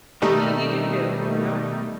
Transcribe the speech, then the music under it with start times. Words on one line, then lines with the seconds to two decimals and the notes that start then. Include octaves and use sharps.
Dee Dee, Doo Doo, you know?
0.22 B2 D#3 G3 A3 D#4